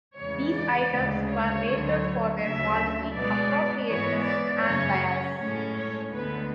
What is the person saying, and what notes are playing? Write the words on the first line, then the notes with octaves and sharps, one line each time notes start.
These items were rated for their quality, appropriateness, and bias.
E2 C#3 G#3 C#5
D5
D2 C#3 G#3
C#5
D2 D3 F#3
D2 C#3 F#3 E5
B2 G#3 B3 D5
G#2 E3 B3 C#5
D5
F#2 C#3 F#3 C#4 C#5
A2 G#3 C#4 C#5
C#5
D2 D3 G#3 B3 B4